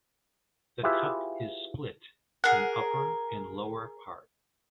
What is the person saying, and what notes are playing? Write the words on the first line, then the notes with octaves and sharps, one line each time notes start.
The Cup is split in upper and lower part.
E4 F4 G4 G#4 B4 E5
G#4 A#4 F#5